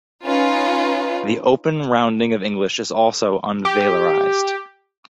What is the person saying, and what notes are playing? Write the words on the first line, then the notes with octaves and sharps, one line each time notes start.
The open rounding of English is also unvelarized.
C#4 D#4 F4 B4
G4